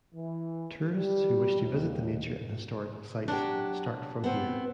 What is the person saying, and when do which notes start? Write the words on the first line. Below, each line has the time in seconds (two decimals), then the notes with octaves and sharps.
Tourists who wish to visit the nature and historical sites, start from here.
0.15 E3
0.92 G3
1.61 D#2
3.28 F#3 D4 F#4 G4
4.24 B3 C4